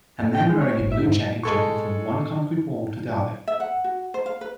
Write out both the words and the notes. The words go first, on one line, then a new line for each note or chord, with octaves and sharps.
A man wearing a blue jacket jumping from one concrete wall to the other.
A2
G5
G#3
C#5
G#1
E5
G#2
G#3 A4 C#6
E5
F#5
F#4
C5
F5
B4